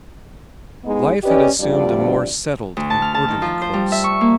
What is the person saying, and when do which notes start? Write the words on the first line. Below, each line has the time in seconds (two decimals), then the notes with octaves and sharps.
Life had assumed a more settled and orderly course.
0.84 G#3 B3 D#4
1.23 C#4 G4 B4 D5 D#5
1.60 D2 G2 C3 F3 D5
2.77 D2
2.90 A5
3.02 F6
3.14 A5
3.28 D#3
3.42 F3
3.62 C5
3.74 G3
3.92 E5
4.04 C#6
4.21 A#3